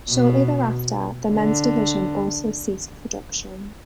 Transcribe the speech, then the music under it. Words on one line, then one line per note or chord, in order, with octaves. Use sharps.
Shortly thereafter, the men's division also ceased production.
B2
D3